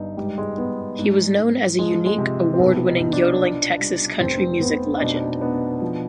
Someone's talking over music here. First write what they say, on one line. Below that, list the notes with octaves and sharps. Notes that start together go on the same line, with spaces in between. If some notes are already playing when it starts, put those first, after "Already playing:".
He was known as a unique, award-winning yodeling Texas country music legend.
Already playing: G1 G2 D#4
G#2 G3
G#3
G#2 B3
G#2
G#2
F3 G#3
G#3
C3
C4
B1 B3
D#4
B1
D4
F4
G3
F1 C4
F1 B3
D4
B2 D#4
B3 D4
F3